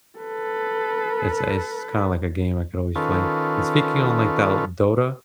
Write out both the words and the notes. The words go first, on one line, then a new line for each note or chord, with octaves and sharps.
It's it's kinda like a game I could always play, and speaking on, like, Dol Dota,
A4 B4
D#3 C#4 F4 A4 B4